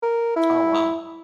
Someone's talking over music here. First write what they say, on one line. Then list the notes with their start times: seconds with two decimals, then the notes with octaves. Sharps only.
Oh, wow.
0.02 A#4
0.36 E4